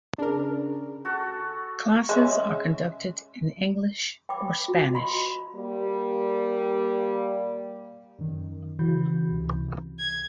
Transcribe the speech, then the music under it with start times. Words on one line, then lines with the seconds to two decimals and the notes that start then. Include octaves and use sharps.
Classes are conducted in English or Spanish.
0.18 C#3 D4 A#4
1.05 F#4 A4
2.09 G#3 C#4 E5
4.29 G5 B5 D6
4.68 F#4
4.94 D#5 B5 C6
5.54 G3 A#3
8.18 F#2 D#3
8.79 C#3 E3 F#4 G6
9.29 C#2 C3
9.99 G#6